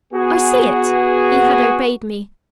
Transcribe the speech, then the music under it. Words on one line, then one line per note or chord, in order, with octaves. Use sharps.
"I see it." He had obeyed me.
B3 F#4 G#4